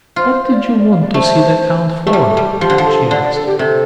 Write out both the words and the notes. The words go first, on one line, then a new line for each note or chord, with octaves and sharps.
"What did you want to see the count for?" she asked.
F4 C5
C5
C5
D5
F5
D5
F5
D5
A3 C5
A3
G3 G4
A4
G3
G4
F3 G4
D3
F3
A4
D3 D5
D5
A4
G4
C3 A4